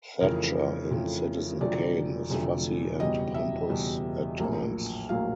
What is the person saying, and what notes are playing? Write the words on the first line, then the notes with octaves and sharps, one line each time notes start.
Thatcher in "Citizen Kane" is fussy and pompous at times.
F2 C#3 E3 A3 A#4
F2 C#3 E3 A3
F1 F2 D3 F#3 A3 D5
F1 F2 D3 F#3 A3
F#1 E2 B2 G3 D#5
E5
F#1 E2 B2 G3
A#1 A2 F#3 A#3
A#1 A2 F#3 A#3 F5